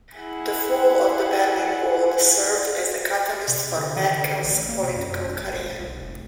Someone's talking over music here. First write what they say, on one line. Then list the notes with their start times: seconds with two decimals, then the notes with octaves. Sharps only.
The fall of the Berlin Wall served as the catalyst for Merkel's political career.
0.17 E4 G#4 F#5
3.48 C3
3.78 D3
3.97 D#3
4.16 D3
4.44 A1
4.69 A#3
4.83 C3
4.96 F#2
5.25 G#1
5.53 D#1
5.80 C2
5.97 F1